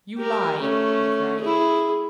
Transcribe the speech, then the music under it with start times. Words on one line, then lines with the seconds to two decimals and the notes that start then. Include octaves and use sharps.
"You lie!" he cried.
0.18 G4 A#4
0.61 A3 C#4
1.41 E4 G#4